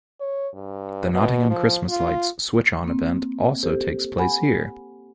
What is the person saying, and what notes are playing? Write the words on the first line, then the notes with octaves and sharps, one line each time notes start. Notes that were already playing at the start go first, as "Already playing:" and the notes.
The Nottingham Christmas Lights switch-on event also takes place here.
C#5
G2
B2
F3
F4
A#3 C4
G4 A4 C5
F#5 G#5 B5